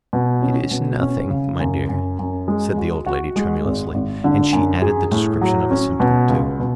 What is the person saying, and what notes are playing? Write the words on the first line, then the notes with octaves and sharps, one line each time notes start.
"It is nothing, my dear," said the old lady tremulously; and she added the description of a symptom or two.
B2
C#4
B2
C#4
C#3
F#2
F#2
F#2
G#3
F#4
F#4
G#3
G#1
G#1
D3
F#2
G#4
A2
F#3
C#4
B2
C#2
B2